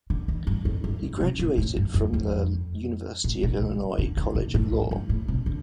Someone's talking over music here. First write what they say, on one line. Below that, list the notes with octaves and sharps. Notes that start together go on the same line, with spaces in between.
He graduated from the University of Illinois College of Law.
D3
E3
G2
F2
G2
C3
A2
A2
G2
F2
F2
A2
A#2
D3
D3
A#2
A2
G2
A2
C3
D3